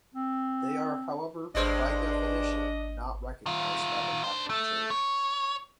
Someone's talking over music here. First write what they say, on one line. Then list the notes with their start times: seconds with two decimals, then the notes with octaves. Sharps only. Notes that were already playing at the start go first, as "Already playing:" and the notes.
They are however, by definition, not recognised by the Catholic Church.
0.14 C4
1.55 G#1 G2 G#3 D4 C5 D#5
3.46 D#3 F4
4.24 D4 C5
4.50 A3
4.90 C#5